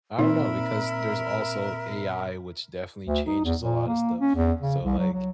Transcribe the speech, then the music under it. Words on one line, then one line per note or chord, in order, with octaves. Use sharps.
I don't know, because there's also AI, which definitely changes a lot of stuff. So, like,
A#2 C4 D#4 A#4 E5 B5
D2
D#4
E2
A#2
A#3
C#4
E2
C#3
C2
F#3
F#3